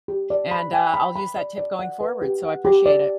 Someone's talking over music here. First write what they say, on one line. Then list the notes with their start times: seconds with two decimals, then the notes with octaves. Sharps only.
and, uh, I'll use that tip going forward, so I appreciate it.
0.08 G4
0.30 D5
0.51 B5
0.73 G5
0.94 B5
1.16 B5
1.36 D5
1.58 D5
1.79 F#5
2.01 B4
2.22 G4
2.43 F#5
2.65 G4
2.86 D5